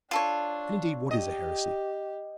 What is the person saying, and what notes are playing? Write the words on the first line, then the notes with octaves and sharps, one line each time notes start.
And, indeed what is a heresy?
D4 F4 A4 C#5
G4 D#5